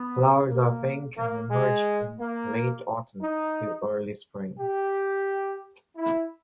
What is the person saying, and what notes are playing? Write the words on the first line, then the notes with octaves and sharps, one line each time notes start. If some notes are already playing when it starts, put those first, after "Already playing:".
Flowers are pink and emerge in late autumn to early spring.
Already playing: B3
A#3
A#3
G#3
A#3
D#4
G4
E4